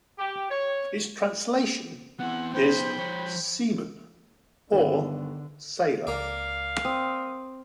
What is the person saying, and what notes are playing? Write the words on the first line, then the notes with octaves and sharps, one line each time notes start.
Its translation is "Seaman" or "Sailor".
G4
C#5
B3 C4 E4 F#5
B3 D#4 C5 G5 B5
F3 C5 C#5
G2 D3 D#3 B3
C#2 A#3 D5 F5
C4 D#6